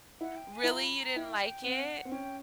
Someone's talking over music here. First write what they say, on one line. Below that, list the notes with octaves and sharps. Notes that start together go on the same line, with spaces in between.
Really, you didn't like it?
E4 F#5
G5
G#5
E4
F4 A#5
B5
A#5
E4 G5
G5
C4 F#5
C4
C#4 G5